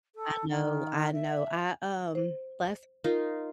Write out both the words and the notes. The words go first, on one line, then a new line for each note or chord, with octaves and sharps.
I know. I know. I, um, last
A4
D#3
E5
C5
D#4 F4 A#4